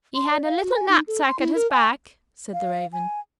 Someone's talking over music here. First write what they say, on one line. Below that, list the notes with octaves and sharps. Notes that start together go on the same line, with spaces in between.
"He had a little knapsack at his back," said the Raven.
C6
D5
F5
F#4
G#5
D#4
A4
C6
E4
A#4
G#5
F5
G#5